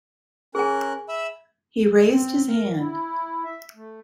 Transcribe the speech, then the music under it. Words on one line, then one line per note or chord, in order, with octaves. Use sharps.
He raised his hand.
C#4 G#4 A#4 G#5 F#6
E5 B5 E6
C4
A#4
E4
E5
A3